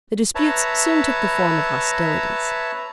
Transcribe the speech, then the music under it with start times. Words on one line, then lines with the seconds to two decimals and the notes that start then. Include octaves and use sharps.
The disputes soon took the form of hostilities.
0.35 B4 C#5 E5 A5 A#5